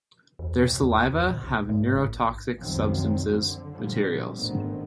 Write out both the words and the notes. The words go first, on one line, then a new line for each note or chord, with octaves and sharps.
Their saliva have neurotoxic substances.materials.
E2
B2
E2
B1
E2
A#2
B1
G#2
A1
C2 F#2 D#3 F3 F#3 C4
D3
A#2 D3 F3 G3
G#1 D3 D#3 A3 B3 C4